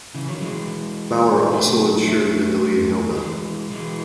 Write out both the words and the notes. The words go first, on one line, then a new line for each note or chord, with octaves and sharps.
Bauer also ensured that the lead held up.
C#3 E3
D#3 F#3
E3 G#3
F#3 A3
F#3 A3
E3 G#3
E3 G#3